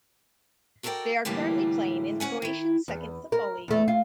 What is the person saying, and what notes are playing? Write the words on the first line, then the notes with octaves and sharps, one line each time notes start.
They are currently playing in the Croatian Second Football League.
F#4 A4 A#4 C#5 D5 G5
A2 D3 E3 G3 A3 A#3
D2 C#4 F#5 G#5
D#3 E4
E2
A#4
E2 A3
F4